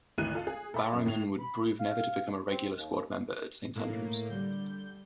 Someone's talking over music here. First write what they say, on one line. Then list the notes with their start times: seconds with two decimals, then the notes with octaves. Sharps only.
Barrowman would prove never to become a regular squad member at Saint Andrew's.
0.18 G#1 D2 E3 F#6 D#7 F#7
0.34 F4 A4 F5
0.47 G#4
0.74 A4 E5 B5
0.93 F#2
1.06 A2 F7
1.39 B5
1.79 F5
2.50 C4
2.77 D#2
3.75 A2 A#3
4.29 D3 G3 G6